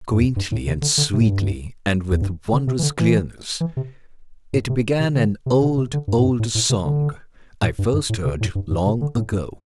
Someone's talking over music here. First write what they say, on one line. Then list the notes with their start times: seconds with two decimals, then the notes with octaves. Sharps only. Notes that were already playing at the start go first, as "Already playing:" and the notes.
Quaintly and sweetly and with wondrous clearness it began an old, old song I first heard long ago.
0.13 G2
0.20 E2
0.36 G2
0.52 A2
0.67 C3
0.82 D3
0.98 D3
1.13 C3
1.20 A2
1.28 G2
2.11 E2
2.22 G2
2.53 D3
2.67 C3
2.79 E3
2.83 D3
2.99 E3
3.60 E3
3.77 C3
4.53 A2
4.70 C3
5.00 C3
5.15 D3
5.46 C3
5.62 C3
5.77 C3
5.93 D3
6.08 G2
6.18 A2
6.24 G2
6.39 A2
6.55 A2
6.70 C3
6.85 D3
7.63 A2
7.79 G2
7.93 G2
8.09 A2
8.25 C3
8.41 A2
8.55 G2
8.71 G2
8.86 C3
9.01 D3
9.17 A2
9.33 G2